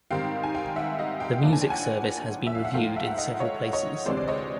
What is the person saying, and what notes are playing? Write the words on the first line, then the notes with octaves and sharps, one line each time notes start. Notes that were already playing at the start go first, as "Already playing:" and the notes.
The music service has been reviewed in several places.
G#2 D#3 G3 C4 F5 G5
G#5
F5 G5
E5 F#5
D#5 F5
F5 G5
A2 F3 A#3 D4
G#5
G5
F#5 G#5
E5
F5
F#5
G#2 F3 A3 F5 G5
E5 F#5
F#5
D#5 F5
C#5 D#5
C#5 D#5
D2 C3 E3 G#3 C4 C5 D5
D5
C#5 D#5